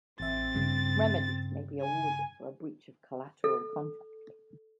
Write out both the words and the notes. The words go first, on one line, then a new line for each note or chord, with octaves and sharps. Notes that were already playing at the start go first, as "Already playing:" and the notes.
Remedies may be awarded for breach of a collateral contract.
A1 C4 E5 A6
G2 C#3
G#5
A4